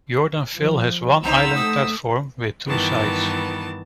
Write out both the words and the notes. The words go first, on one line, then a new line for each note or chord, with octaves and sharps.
Jordanville has one island platform with two sides.
F3
C2 B3 C4 D#4 A#5 E6 B6
A3 D#6
G2 D#3 E3 B3 A5